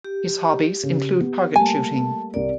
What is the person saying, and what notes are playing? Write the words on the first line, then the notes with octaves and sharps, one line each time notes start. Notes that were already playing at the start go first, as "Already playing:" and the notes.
His hobbies include target shooting.
G4
C#3
B3
G3 A3 A#3 G#5 A5
C2 A#4 D5